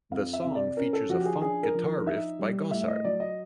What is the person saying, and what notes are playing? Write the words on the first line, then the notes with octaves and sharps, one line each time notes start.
The song features a funk guitar riff by Gossard.
F2 F5
E5
C3
D5
C#4 A#4
A4
F3 F#4
G4
G#4
D4 G#4
A#4
F3
A#4
D#4 E5
G3
A2 E5
D#5
F#3 D5
D#5